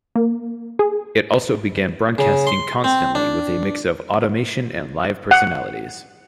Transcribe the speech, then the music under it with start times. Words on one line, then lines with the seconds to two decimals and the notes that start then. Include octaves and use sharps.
It also began broadcasting constantly with a mix of automation and live personalities.
0.16 A#3
0.79 G#4
2.18 C#3
2.47 C6
2.84 C4
3.15 D4
5.31 F#5